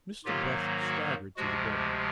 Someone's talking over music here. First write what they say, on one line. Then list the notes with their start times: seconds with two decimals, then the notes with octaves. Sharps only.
Mr. Brush staggered to the bedroom.
0.25 G#2 D#3 F#3 A#3 F4 G4
0.80 F#4
1.36 D2 C3 F3 G#3 F#4